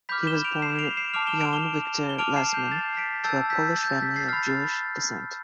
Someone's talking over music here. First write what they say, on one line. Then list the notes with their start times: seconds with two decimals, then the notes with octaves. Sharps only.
He was born Jan Wiktor Lesman to a Polish family of Jewish descent.
0.09 B5 D6 F6 G6 B6
0.27 E7 G7
0.44 D7 F7
0.62 C7 E7
0.79 D7 F7
0.97 C7 E7
1.14 A5 D6 F6 D7 F7
1.27 E7 G7
1.40 D7 F7
1.53 E7 G7
2.09 G7
2.18 A5 D6 F6 D7 F7
2.36 C7 E7
2.54 G6
2.71 A6 C7
2.97 B6 D7
3.24 A5 E6 G6 A6
3.50 G6 B6
3.77 A6
3.84 G6
3.89 A6
4.02 G6 B6
4.16 A6 C7
4.24 B6
4.28 B5 F6 A6 C7